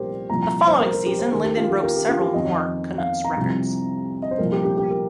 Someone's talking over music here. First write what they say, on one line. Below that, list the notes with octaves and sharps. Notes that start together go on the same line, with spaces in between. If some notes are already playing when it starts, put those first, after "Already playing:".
The following season, Linden broke several more Canucks records.
Already playing: C2 A#2 F3 G4 A#4 C5
C2 A#2 F3 A#5
A#5
C5
A#4
A#4
G4
C5
D#2 D#3 A#4
G4
F4
G4
A#4
G4
F4
G4
F2 D#3 D#5
F5
A#5
C2 C3 F3
D#5
C5
C2 A#2 F3 A#4
G4
G4
G4
A#4